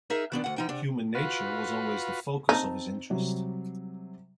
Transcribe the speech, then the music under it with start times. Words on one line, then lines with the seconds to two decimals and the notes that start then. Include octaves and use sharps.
Human nature was always the focus of his interest.
0.10 D#4 G#4 A#4 E5
0.32 D#3 B3 D4
0.44 D2 F#5
0.56 E3 D#4 G5
0.69 C3 D4
1.15 F4 F#4 B4
2.49 C4 D#4 A5
3.10 C3 F#3 G3